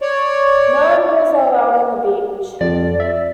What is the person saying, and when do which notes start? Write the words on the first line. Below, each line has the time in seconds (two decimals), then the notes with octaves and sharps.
No animals are allowed on the beach.
0.02 C#5 D5
2.61 F2 D5
3.00 E5